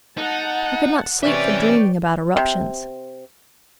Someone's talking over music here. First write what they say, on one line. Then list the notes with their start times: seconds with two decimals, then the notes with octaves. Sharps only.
I could not sleep for dreaming about eruptions.
0.18 D#4 F#5 A5
1.23 C3 E3 C#4 B4 C#5 D5 E5 G5
2.37 C3